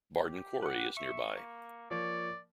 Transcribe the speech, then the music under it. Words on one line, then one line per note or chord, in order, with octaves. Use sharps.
Bardon Quarry is nearby.
G4
B4 F#5
E5 C#6
A#3
F3 A#3 C#5 D5